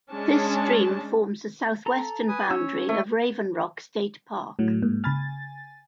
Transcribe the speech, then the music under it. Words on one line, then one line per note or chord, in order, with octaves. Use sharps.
This stream forms the southwestern boundary of Raven Rock State Park.
G#3 C#4 D4 A5
A4 A#5
B4 G#5 D#6
C#4 C#5 E6
A3
A2 F#3
G#2 A#3
C#3 G#5 B5 F6 A6